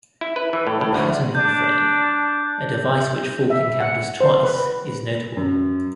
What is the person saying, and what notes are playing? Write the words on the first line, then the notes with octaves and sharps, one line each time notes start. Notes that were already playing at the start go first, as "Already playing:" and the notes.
The patterning frame, a device which Falk encounters twice, is notable.
E4
B4
E3
A2
A2
D2
D4 G6
E5
F#5
C5
B4
F#2